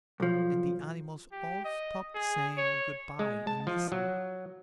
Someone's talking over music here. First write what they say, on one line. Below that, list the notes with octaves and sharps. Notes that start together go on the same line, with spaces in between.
And the animals all stopped saying Good-by and listened.
B1 F3
G4
D#5
G#4
C#5
G#3
A5
F3
F#3